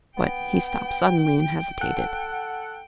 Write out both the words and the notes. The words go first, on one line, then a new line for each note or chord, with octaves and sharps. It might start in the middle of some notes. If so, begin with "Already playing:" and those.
But he stopped suddenly and hesitated.
B3 G5
A4 F#5